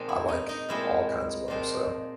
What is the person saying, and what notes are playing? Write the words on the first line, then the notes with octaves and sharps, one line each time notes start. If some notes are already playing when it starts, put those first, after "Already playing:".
I like all kinds of 'em, so,
Already playing: A#2 F3 G#3 C4 D#4
E4
D#4
D#4
A#2 F3 G#3 C4 D#4 E4
A#2 F3 G#3 C4 D#4